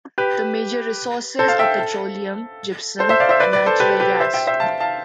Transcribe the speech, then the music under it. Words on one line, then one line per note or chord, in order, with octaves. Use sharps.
The major resources are petroleum, gypsum and natural gas.
G4 B4
A4 C5
F5 A5
E5 G5
A4
A4 C5
C5 E5
D5 F5
C5 E5
B4 D5
B4 D5
A4 C5
G4 B4
G4 B4
C5 E5
E5 G5
C5 E5
F5 A5
F5 A5